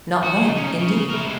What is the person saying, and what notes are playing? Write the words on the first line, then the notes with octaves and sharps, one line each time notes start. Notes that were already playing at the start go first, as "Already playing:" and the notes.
"Not one, indeed."
F#4
G#3 D#4
C#4 D#4
C#3
E4 A#4
C3 G#3